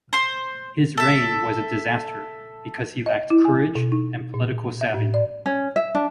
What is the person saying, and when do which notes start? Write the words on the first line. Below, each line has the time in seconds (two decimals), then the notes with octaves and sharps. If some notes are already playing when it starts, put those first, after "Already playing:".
His reign was a disaster because he lacked courage and political savvy.
0.13 C5 C6
0.97 A4 E5
3.06 D#5
3.30 E4
3.45 G#5
3.75 B2
3.92 D#4
4.34 A#2
4.81 E5
4.94 A2
5.14 D5
5.46 C#4
5.76 E5
5.95 D4